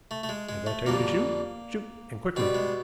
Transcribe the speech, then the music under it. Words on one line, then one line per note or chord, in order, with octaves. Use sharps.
If I tell you to shoot--shoot, and quickly.
A3
A3
G#3
G#3
A3
F2 D3 G3 A#3
B2 G3 C4
G#3